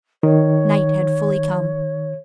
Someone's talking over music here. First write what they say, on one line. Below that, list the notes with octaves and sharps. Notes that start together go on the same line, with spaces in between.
Night had fully come.
D#3 C#5